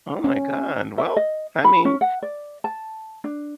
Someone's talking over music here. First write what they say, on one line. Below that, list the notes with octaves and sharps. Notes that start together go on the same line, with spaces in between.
Oh my God. Well, I mean,
C#4
E5
D#5
B5
C#4
F#5
D5
A5
D4